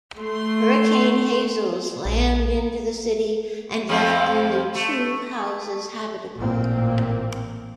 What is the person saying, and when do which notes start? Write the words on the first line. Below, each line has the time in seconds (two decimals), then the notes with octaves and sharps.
Hurricane Hazel slammed into the city and left only two houses habitable.
0.18 A3 C6
2.05 A#1
3.89 F2 F3 C4
4.75 A3
6.37 A1 A#2 A#3 C4